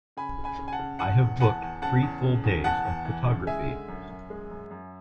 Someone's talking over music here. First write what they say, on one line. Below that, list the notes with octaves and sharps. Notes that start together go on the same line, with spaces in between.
I have booked three full days of photography.
C#3 G#5 B5
C#3
G#5 B5
C#3
G#5
F#5 A5
C#3
E2 F#5 A5
E2
E2 F#5 A5
E2
C#3 F#5 A5
E2
C#3
E2
E2 F#5 A5
E2
E3
C#3
G#3 E5 G#5
D3
F#2
F#2
G#3
F#2
F#2